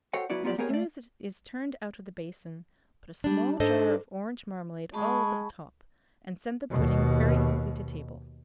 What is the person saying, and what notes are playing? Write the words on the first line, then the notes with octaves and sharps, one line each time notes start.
As soon as it is turned out of the basin, put a small jar of orange marmalade all over the top, and send the pudding very quickly to table.
F#4 A4 C5 C#5 F#5 G5
F#3 B3 E4 F#4 D5
A#3 B3 F4 G4 D5
A#3 B3 G4 G#4 A#4 C#5
A3 D5
G3 D4
G#2 D4 A4 C5 D#5
G#3 A5 B5 C#6
D#2 B2